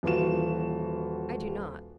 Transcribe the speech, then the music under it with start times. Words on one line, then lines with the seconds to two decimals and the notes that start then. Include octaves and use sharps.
"I do not."
0.03 D#1 E3 F4 F#4 E7